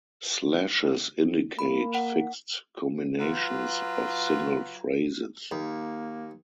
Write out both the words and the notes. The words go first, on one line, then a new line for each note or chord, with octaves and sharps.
Slashes indicate fixed combinations of single phrases.
A#3 B5
F#5
F#3 F4 B4
D#2 A#3